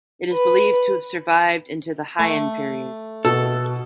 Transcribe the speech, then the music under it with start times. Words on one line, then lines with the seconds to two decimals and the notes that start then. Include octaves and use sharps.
It is believed to have survived into the Heian period.
0.32 B4
2.19 A3
3.25 B2 A4